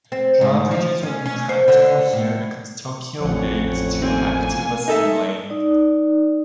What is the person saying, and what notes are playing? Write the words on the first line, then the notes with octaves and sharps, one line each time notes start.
Drawbridges were impractical here because Tokyo Bay is too active a sea lane.
C4
G#2
F3
C#4
C#4
C5
D3
A2
A1 F2 F3 C#5 F#5
A#3 C4 G#5
D#4 A4 E5
D#4 D5